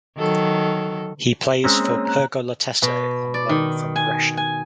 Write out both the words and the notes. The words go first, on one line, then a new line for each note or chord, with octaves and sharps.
He plays for Pergolettese on loan from Brescia.
D#3 F#3 A4
G#3 C4 C#4 A#5 D#6 E6
A#3 C#5
A#5 F#6
B2
D5
D#3
G#5
G#5